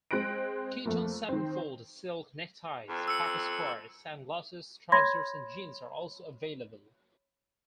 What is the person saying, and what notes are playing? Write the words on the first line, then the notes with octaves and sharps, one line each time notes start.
Kiton sevenfold silk neckties, pocket squares, sunglasses, trousers and jeans are also available.
G#3 C4 F#6 A#6 D7
F2 A3 A#3
D#3 C4
F2
E6 C#7
C#5 B5 C6 G#6 A#6